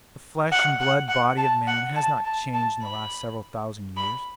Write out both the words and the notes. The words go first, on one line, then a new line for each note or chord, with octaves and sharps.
The flesh-and-blood body of man has not changed in the last several thousand years.
F#5
F#5
F#5
A5
F#5
A5
A5
A5
B5
B5